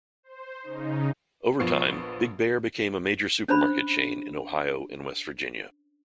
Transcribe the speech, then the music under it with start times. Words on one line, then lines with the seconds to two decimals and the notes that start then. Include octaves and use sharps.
Over time, Big Bear became a major supermarket chain in Ohio and West Virginia.
0.23 C5
0.63 C#3 D#4
1.60 A#1 F3 B3 C#6 C7
3.48 C#4 D4 C5 B5